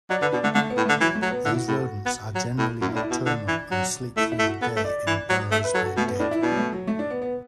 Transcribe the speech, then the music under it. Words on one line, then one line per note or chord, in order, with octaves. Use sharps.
These rodents are generally nocturnal and sleep through the day in burrows they dig.
F#3 D5
D3 B4
B2 D4
D3 A3
D3 A3
B3
A2
D3 A3
E3 F#3
A3
F#3
B3
D3 E4
F#4
A2 A4
F#4
B3
F#3
A2
F#2 F#4
E4
A2 D4
E4
B2
D3 D4
E3
F#3
A3 E4
E4
A3
F#4
B3 A4
A3
D5
E3
F#3
A3 E5
B4
F#3 A4
F#4
B2 A3
B3
A2 D4
E4
B2 D4
F#3
A3
F#3
A3
D4
B3
B3